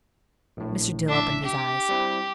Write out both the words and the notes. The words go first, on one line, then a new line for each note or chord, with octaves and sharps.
Mr. Dill opened his eyes.
A#1 A2
D4 E5
G4
G3 C4 E4